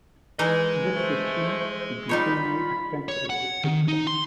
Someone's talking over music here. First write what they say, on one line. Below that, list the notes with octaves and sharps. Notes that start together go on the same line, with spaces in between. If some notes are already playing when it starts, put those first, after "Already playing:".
This was seen to be only a temporary outcome.
E3 D#4 G#4 A#4 D#5
A3 C5
G3 D#4 F4 C#5 B5
C#5
F#5
D#3
D#4
C6